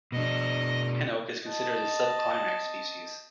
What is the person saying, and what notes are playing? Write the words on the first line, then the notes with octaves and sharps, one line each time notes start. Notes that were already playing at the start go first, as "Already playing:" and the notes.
Pin oak is considered a subclimax species.
B2 D4 D#5
D#5 A5